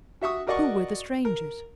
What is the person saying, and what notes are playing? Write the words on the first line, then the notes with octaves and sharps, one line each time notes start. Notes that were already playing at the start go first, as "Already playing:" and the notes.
Who were the strangers?
F#4 E5 C#6 D#6
F#4 A#4 D5 D#5 F#5 C#6
A#4